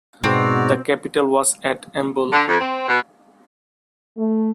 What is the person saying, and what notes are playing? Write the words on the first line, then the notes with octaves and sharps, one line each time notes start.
The capital was at Mbul.
G#2 B2 C4 F#4 D5 A#5
D3
F2
C4
B2
A3